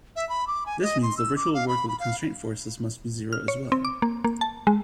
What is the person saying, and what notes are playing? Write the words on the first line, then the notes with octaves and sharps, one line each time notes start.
This means the virtual work of the constraint forces must be zero as well.
E5
B5
D6
G#5
D#5
C6
E6
D6
F5
B5
B5
F5
F6
C#5
C4
D6
A#3
A#3
A5
G#3